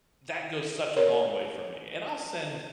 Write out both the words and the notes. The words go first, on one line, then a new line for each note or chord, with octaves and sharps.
that goes such a long way for me, and I'll send
A#4 C#5